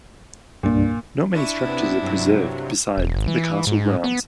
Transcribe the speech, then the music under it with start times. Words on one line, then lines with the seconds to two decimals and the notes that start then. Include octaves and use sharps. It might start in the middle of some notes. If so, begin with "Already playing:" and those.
Not many structures are preserved beside the castle grounds.
0.63 C2 G2 A#2 D4
1.33 D4 E4 C#6 D#7
1.64 C3 B3
2.01 G2 C3 F#3
2.98 E1
3.16 G#1
3.28 E3
3.67 G#2
4.04 B3